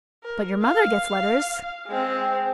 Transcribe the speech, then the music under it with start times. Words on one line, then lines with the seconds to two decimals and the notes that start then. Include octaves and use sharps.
"But your mother gets letters?"
0.24 A#4
0.62 F5
1.87 G#3 C4